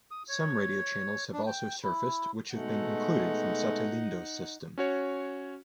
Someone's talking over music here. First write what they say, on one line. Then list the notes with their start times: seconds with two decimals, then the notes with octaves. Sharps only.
Some radio channels have also surfaced which have been included from Satellindo's system.
0.11 D#6
0.29 C#5
1.33 D4
1.46 G5
1.84 E4
2.54 B2 G#3 A3 D#4 F#5
4.78 C#4 F#4 C#5